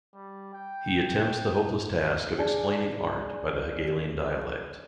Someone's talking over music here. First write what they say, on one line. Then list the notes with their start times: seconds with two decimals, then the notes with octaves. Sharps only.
He attempts the hopeless task of explaining art by the Hegelian dialectic.
0.15 G3
0.54 G5
2.38 D4 G#4